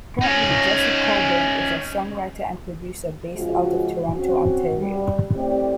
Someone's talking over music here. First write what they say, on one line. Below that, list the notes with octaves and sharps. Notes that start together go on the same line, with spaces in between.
Currently Jesse Colburn is a songwriter and producer based out of Toronto, Ontario.
C#4 D#4
C#3 F3 G#3 F#4
C4 C#4 F#4
G3
A2 A3 C4 G4 D5